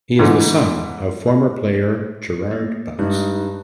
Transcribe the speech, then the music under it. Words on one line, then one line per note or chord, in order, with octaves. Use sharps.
He is the son of former player Gerard Butts.
G#2 D3 E3
A3 A#3
G2 G3 G#3 D#4 F#6